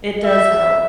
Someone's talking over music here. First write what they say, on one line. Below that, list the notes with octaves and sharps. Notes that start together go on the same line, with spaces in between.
It does help.
E5